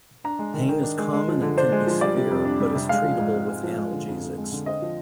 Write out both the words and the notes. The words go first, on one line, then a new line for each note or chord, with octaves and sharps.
Pain is common and can be severe, but is treatable with analgesics.
D4 A#5
G#3
D#3
D#3
D4
G#3
G#3
F3
D3
D4 C5
G#3
F3
G3 D5
C3
F2
D4
G3
C3
G#3 F5
F3
G#2
C4
G#3
F3
G#3
D3
F2
F2
G#3
D3
C4 D#5
F3